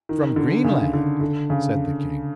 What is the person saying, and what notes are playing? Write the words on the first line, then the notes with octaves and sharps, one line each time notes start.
"From Greenland!" said the king.
D#3
D3
C#3
D3
D3
C#3